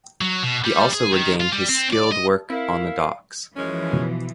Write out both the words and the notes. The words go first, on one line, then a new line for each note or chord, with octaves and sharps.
He also regained his skilled work on the docks.
F#3
B2
G3
G#4
D#3
F4
G3
C4
D5
D#5
C4 E4 A#4 F5
F#2 E3 F3 G#3 C#4
B2